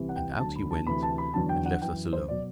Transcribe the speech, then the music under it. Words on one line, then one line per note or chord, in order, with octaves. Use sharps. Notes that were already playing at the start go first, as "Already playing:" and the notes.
And out he went, and left us alone.
Already playing: C2 C3 E3
F#5
G5
D2 D3 F#3 A5
B5
A5
D2 C3 E3 B5
A5
B5
E2 D3 F#3 A5
G5
F#5
F#2 E3 G5
C5
B2 F#3 D5